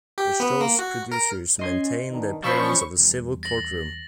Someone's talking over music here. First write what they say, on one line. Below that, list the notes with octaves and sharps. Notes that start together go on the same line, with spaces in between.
The show's producers maintain the appearance of a civil courtroom.
G4
B3
A#3
F#4
A#4
C#4 D#5 C6 G#6
D#3 B3 D4
F3 C#4 D4 C5 B5 C#6 E6
E2 G3
A6 A#6 F#7